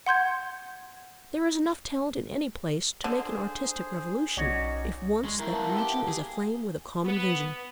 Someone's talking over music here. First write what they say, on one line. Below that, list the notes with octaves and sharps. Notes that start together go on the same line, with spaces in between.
There is enough talent in any place to make an artistic revolution, if once that region is aflame with a common vision.
F#5 C6 G6 G#6
D3 G#4 C5
B1 C#4 D#4 F#4 D5
G#3 C#6
E4 A#4
A#3 B3 D4
G4
G#4
B3